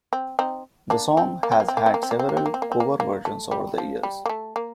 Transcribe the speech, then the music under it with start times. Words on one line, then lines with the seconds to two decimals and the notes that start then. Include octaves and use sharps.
The song has had several cover versions over the years.
0.13 C4
0.39 C4 D#4
0.90 A#3 D4
1.17 C4
1.43 A#3
1.52 C4
1.60 A#3
1.68 C4
1.77 A#3
1.86 C4
1.94 A#3
2.03 C4
2.11 A#3
2.19 C4
2.29 A#3
2.37 C4
2.46 A#3
2.54 C4
2.62 A#3
2.72 C4
2.80 A#3
3.00 A#3
3.25 A3
3.51 G3
3.78 F3
4.03 G3
4.26 A#3
4.29 A3
4.56 A#3